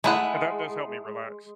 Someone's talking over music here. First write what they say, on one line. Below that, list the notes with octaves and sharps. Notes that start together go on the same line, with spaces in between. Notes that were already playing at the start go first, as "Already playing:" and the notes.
and that does help me relax.
G#3 A3 E4 F#5